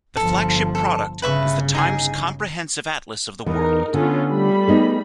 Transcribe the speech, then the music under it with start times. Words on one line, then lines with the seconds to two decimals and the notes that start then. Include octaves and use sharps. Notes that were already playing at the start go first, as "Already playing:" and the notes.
The flagship product is The Times Comprehensive Atlas of the World.
0.17 G1 F3 A4
0.75 A4
1.22 G1 C#3 B4 E5 C#6
1.75 D#4 G#4 G#5
3.46 E2 E3 D#4 A#4
3.94 D3 B3 C#4 F4
4.29 G3 A3 B5
4.68 B3 D#4 G#4